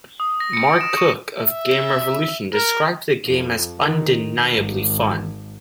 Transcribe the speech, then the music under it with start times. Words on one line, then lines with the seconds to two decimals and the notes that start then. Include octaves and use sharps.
Mark Cooke of Game Revolution described the game as "undeniably fun".
0.20 D#6
0.40 A#6
0.53 C#7
0.67 D7
0.81 E7
0.97 C#6
1.38 E5
2.54 A#4
3.25 F2
3.79 D#3
4.53 G#1